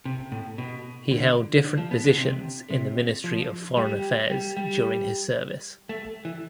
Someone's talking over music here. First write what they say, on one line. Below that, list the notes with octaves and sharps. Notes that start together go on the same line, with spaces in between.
He held different positions in the Ministry of Foreign Affairs during his service.
C3
A2
B2
D3
D3
F3
B3
D3
C3
C3
F3
G3
G3
G3
A3
E3